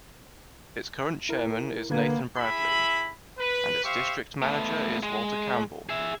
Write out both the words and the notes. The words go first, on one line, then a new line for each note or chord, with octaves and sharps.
Its current chairman is Nathan Bradley, and its district manager is Walter Campbell.
E4 A#4
D3 A#3 B3 B4 G#6
E4 G#4 E5 B5
B4
G4 C5 E5 F5 C#6
A3 B3
G#3
G#4 E5